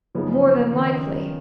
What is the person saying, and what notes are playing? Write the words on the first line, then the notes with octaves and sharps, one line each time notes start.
"More than likely."
F#2 C#3 F3 B3 D#4 G#4
C#3
D#3